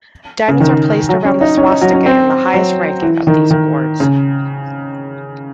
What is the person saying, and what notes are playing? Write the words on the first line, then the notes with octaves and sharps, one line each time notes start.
Diamonds are placed around the swastika in the highest ranking of these awards.
C#3
D#3
F#3
C#4
D#4
C#4
D#4
F#3
C#4
C4
F#3
E3
D#3
D#3
C#3